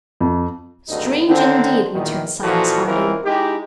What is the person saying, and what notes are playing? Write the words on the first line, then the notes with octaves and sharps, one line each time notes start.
"Strange indeed!" returned Cyrus Harding.
F2
G#1 D2 G2 D#4
D3 D#3 C4
E2 A#2 D#3
A#2 E3 F3 F#4 A4
C#2 E3 C4 F4 A#4
G#3 D#4 E4 G4